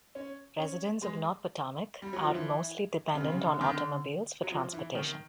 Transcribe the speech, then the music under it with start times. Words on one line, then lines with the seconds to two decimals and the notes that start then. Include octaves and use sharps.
Residents of North Potomac are mostly dependent on automobiles for transportation.
0.15 C#4
0.59 C#4
1.02 G#3
2.02 G3
2.13 F#3
2.24 F3
2.34 E3
3.15 C#3
3.21 C3
3.32 C#3
3.42 D3
3.54 D3
3.61 D#3
3.68 D3
4.43 F#3
4.52 F3
4.73 E3
4.95 D#3